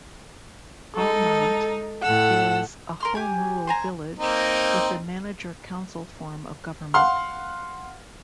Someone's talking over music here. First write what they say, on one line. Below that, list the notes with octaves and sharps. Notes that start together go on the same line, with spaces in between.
Almont is a home rule village with a manager-council form of government.
G#3 D#4 A4
A2 A4 F#5 E6
A#4 C6 F6
G4 G#5
C5 G#5 A#5
A#3 C4 D#4
F5 F#5 C6 F6